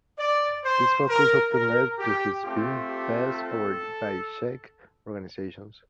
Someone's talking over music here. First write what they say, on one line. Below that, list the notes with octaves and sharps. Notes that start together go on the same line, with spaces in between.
This focus often led to his being passed over by Czech organizations.
D5
C5
A#4
A#4
G4
A3 C4 F4 G4
G4
A4